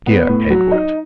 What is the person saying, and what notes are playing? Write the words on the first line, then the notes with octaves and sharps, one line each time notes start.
"Dear Edward!"
B3
A2
F#3
D#4